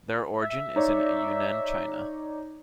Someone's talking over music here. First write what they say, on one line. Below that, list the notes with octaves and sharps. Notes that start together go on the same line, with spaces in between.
Their origin is in Yunnan, China.
E5
D#4 C#5 D5